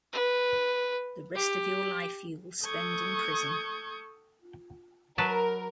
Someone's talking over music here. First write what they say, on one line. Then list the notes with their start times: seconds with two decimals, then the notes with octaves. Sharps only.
The rest of your life you will spend in prison.
0.13 B4
1.35 G4
2.63 A4 C#6 D#6 G6 G#6
5.18 F#3 A#4 B4 A5